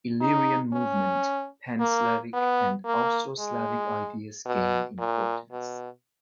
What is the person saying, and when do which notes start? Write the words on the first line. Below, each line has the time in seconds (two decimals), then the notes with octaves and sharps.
Illyrian movement, Pan-Slavic and Austro-Slavic ideas gained importance.
0.21 D#4
0.73 C#4
1.80 A#3
2.33 B3
2.85 A#3
3.39 G#3
4.46 B2
4.99 A#2
5.52 B2